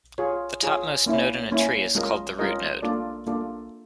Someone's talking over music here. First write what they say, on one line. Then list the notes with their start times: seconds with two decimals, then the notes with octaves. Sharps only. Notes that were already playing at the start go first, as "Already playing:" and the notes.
The topmost node in a tree is called the root node.
0.18 F4 G#4 C#5
0.63 F4 G#4 C#5
1.06 A#3 C#4 E4
1.51 A#3 C#4 E4
1.95 G#3 C#4 F4 A#4 D#5
2.39 G#3 C#4 F4 A#4 D#5
2.82 A#3 D4 F4 A4 D5
3.27 A#3 D4 F4 A4 D5